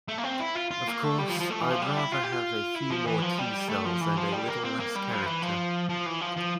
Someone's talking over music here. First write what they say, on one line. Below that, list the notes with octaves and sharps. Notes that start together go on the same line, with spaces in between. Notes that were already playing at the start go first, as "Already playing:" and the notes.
Of course, I'd rather have a few more T-cells and a little less character.
A3
A#3
C4
E4
F4
F4
A#3
A3
G3
F3
F3
A3
E3
F3
G3
E4
F4
G4
F4
E4
F3
E3
F3
G3
A3
F3
E3
F3
G3
A#3
C4
A#3
G3
F3
E3
F3
F3
E3
F3
F3